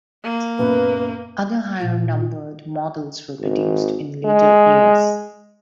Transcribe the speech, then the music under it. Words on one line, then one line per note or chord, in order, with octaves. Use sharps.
Other higher-numbered models were produced in later years.
A#3
F#2 A#2 B3 B4
A#2
G#1
G#3